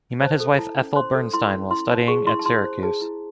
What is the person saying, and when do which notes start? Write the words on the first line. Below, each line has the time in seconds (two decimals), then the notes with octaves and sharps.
He met his wife Ethel Bernstein while studying at Syracuse.
0.21 C5 A5
0.40 A4
0.59 E4 A5
0.77 C#4
0.96 C5 C6
1.15 A4
1.34 E4 C6
1.52 C#4
1.71 E4 C6
1.89 C5 A5
2.08 G#4 C#6
2.26 E4 C6
2.39 A5
2.45 E4 C6
2.64 C5
2.83 G#4 A5
3.02 E4